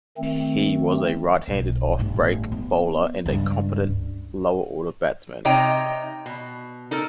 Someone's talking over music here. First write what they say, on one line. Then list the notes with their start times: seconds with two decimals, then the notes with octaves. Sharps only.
He was a right-handed offbreak bowler and a competent lower-order batsman.
0.18 D#3 A3 C4
1.48 B1
1.99 G1 A2
2.52 B3
3.26 C#2 G2
5.45 C3 D#4 C#5 G5 A#5
6.26 B2
6.91 D#4 A4 A#4